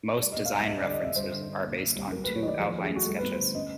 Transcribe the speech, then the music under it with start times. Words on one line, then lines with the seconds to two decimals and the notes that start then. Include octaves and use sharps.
Most design references are based on two outline sketches.
0.21 G3 D5
0.32 D#5
0.36 B2
0.45 F5
0.53 C2 E5
0.68 G3 D#5
0.81 D5
0.84 D3
0.92 D#5
1.00 D3 E5
1.16 G2 C5
1.33 D3
1.48 D3
1.64 A#2
1.79 A#2
1.95 C2
2.12 F#3 A#4
2.24 B4
2.28 A3
2.35 C#5
2.43 D#3 D5 D#5
2.59 F3 G#4
2.75 A3
2.84 G#4
2.91 A3
2.96 F#4
3.07 G2 A4
3.19 B4
3.23 B3
3.32 C5
3.39 D3
3.54 C#4 D#5